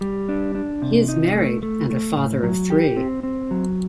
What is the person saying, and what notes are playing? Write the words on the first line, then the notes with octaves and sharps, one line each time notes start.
He is married and a father of three.
G3
D4
D4
C3
D#4
A3
A3
A3
A2
F#3
G4
C4
C4
F#3